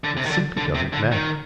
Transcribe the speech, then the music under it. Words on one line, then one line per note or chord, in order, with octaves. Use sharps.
It simply doesn't matter.
D3
C3
D#3
D3
D3
C3
D3
D#3